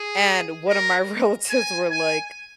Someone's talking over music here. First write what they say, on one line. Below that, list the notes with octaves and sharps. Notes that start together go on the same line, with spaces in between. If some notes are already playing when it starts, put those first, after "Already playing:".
and one of my relatives were like,
Already playing: G#4
A#4
G#5
G#5